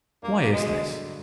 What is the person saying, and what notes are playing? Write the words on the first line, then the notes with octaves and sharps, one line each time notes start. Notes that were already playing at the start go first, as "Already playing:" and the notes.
Why is this?
G2 A#3
F#3
G#3
D3